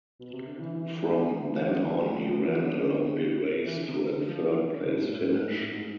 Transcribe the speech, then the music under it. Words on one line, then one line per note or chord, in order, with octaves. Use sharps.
From then on, he ran a lonely race to a third-place finish.
B2
C3
D3
E3
E3
E3
E3
E3
D3
D3
E3
D3
E3
F3
F3
E3
D3
C3
E3
D3
C3
D3
F3
E3
C3
D3
C3
B2
A2
G#2
A2
G#2